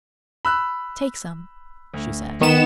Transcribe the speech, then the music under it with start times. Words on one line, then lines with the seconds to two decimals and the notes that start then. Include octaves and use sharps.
"Take some," she said.
0.45 B5 E6 F#6
1.94 D2
2.41 D#3 B3 E7